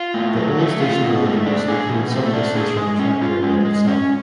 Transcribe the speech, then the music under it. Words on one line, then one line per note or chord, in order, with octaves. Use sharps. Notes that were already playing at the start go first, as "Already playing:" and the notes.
The old station building is located some distance from the track area itself.
Already playing: F4
A2
F#3
A3
F4
B2
A3
D4
G#4
B2
A3
D4
G#4
G#3
C#4
F4
G#3
G#3
C#4